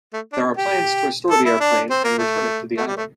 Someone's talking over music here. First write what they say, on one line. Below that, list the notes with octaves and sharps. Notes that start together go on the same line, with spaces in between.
There are plans to restore the airplane and return it to the island.
A3
D4
G4
A4
E4
D4
C4
A#3
A3
A3
G3
A3